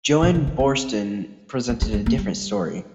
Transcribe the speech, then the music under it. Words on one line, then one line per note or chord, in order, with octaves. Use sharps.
Joan Borsten presented a different story.
A#2
D3
D#3
C4
G#3
G#3
G#3
A#3
G3